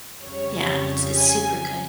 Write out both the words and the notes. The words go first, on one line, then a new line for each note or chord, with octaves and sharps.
Yeah, it's it's super good.
F2 C#3 G3 C#5
G#5